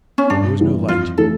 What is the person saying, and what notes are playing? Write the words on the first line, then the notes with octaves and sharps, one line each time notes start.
There was no light.
C#4
G2 D4
E3 G3 B3
F2 F4
C#3 E3 A3 C#4 A4